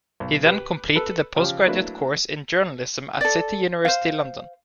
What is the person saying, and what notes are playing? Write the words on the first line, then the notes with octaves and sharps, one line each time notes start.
He then completed a postgraduate course in Journalism at City University London.
B1
G4 B4
A4 B4
C#3 F3 G4
F#3 A3 A#3 D4 E4 B4
A4 D5
C5 F5